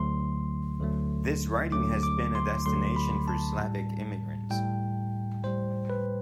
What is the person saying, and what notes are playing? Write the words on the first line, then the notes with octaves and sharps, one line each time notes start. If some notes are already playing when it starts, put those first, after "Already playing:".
This riding has been a destination for Slavic immigrants.
Already playing: D2 D3 F#3 A3 C6
D2 D3 F#3 A3
D2 D3 F#3 A3 D6
D6
C6
D2 D3 F#3 A3 C6
B5
A5
A2 G3
A2 G3 G5
A2 G3 C5
B4